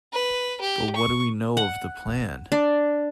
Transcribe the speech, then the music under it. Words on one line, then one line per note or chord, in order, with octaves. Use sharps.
But what do we know of the plan?
B4
G4
C#6
F#5
D4